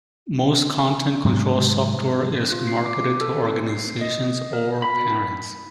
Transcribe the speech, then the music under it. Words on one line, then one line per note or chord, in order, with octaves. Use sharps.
Most content control software is marketed to organizations or parents.
G#2 C3 F#3
F4
C7
D6
A4
C4
C7
D#5
A#4
B5